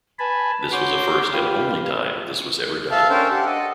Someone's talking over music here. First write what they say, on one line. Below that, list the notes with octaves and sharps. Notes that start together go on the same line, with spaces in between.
This was a first and only time this was ever done.
B4 G#5 A5 B5
F#4 C#5 C6 D6 G6
F4 G4 B4 F5
A4 E5 F5 A5
C#4 D4 A4 A#4 C5 G5
G4 F#5 A5
A4 D#5 F#5